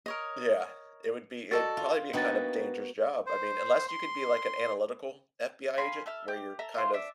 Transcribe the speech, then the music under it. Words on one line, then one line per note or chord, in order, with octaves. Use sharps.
Yeah, it would be, it'd probably be a kind of dangerous job. I mean, unless you could be, like, an analytical FBI agent where you're kind of
A#4 C#5 D#5
F#4 A4 D5 D#5 A6
F4
A#3 B3 D4 D#4 F#4 G5 A6
C5
C6
F5 G#5 B5 C6
A4 E5 F6
G4
A4 E5 A#5
F4 C5
D4 E5